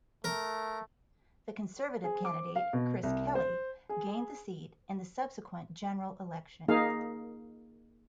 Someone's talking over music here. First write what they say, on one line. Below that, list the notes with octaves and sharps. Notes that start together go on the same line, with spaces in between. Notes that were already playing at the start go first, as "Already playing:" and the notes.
The Conservative candidate, Chris Kelly, gained the seat in the subsequent general election.
A3 A#4
G#4
D6
F5
B2
C2
C5
G#4
A#3 D#4 G#4 F5